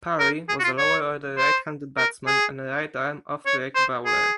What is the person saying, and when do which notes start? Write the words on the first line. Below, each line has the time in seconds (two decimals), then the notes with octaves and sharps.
Parry was a lower-order right-handed batsman and a right-arm off-break bowler.
0.20 A#4
0.49 G#4
0.59 F#4
0.64 F4
0.78 C#5
1.38 C5
1.98 A#4
2.27 G#4
3.46 C#5
3.75 C5
4.06 G#4